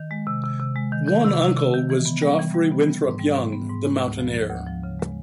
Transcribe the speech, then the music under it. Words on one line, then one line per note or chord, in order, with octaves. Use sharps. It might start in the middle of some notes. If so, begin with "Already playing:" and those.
One uncle was Geoffrey Winthrop Young, the mountaineer.
Already playing: D#3
G#3
C3
C3
C3
G#3
D#3
D#3
C3
C3
C3
D#3
E3
B3
G3
E3
G3
B3
G3
G#2
G3
G#2
B3
G#2
G#3
D2
F3
F3
D2
F3
C#3
G#3